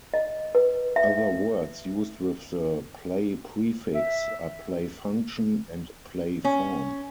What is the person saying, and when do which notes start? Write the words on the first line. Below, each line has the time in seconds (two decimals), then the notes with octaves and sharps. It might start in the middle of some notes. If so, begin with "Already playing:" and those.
Other words used with the "play-" prefix are play-function and play-form.
0.14 D#5
0.55 B4
0.96 E5
3.94 E5
6.44 C#4